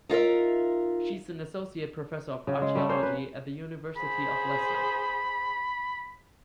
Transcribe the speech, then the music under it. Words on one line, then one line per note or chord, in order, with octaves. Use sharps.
She is an Associate Professor of Archaeology at the University of Leicester.
D#4 F4 A#4 E5
C#3
G#3
G3 A3
A#3 C#4 C5
B4
G#4 C5 B5